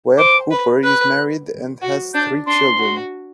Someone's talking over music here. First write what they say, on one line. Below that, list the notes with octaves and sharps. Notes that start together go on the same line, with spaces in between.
Webb Hooper is married and has three children.
C5 D6
B4
B4 F#6
F#4
D4 G6
D4 C6
F#4